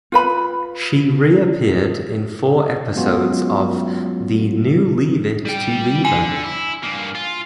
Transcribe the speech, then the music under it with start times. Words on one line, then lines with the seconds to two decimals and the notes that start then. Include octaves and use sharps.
She reappeared in four episodes of "The New Leave It to Beaver".
0.12 F4 B4 B5
2.95 F#3 G#3 B3 C#4 F4 F#4
5.46 G3 G5
6.05 D3 G#5
6.44 E4
6.83 G2 A#3
7.15 F4